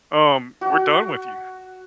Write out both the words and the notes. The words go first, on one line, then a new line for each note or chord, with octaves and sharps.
um, we're done with you.
F#4